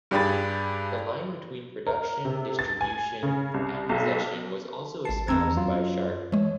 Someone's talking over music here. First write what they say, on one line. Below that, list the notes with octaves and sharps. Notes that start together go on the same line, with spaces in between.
The line between production, distribution, and possession was also espoused by Sharpe.
G2 D4 G4 G#4 B5 A6
A#4
C3
A6
G#5
C#3
C2
B1
G#1 A5 C7
E2 D#3 C4 A#5 E6 G#6
F#2 F#3 F4
E3 G#3 C#5